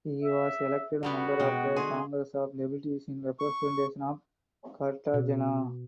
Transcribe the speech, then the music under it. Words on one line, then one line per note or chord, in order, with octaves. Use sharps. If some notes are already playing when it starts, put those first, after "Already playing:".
He was elected member of the Congress of Deputies in representation of Cartagena.
E5
D3 G3 B3 F#4
B2 G#3 G5
D3 G#4 G#5 C6
C#6
B2